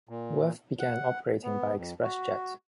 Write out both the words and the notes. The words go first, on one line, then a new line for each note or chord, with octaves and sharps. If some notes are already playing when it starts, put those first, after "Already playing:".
Worth began operating by ExpressJet.
A#2
F#5
B3
F2
F#4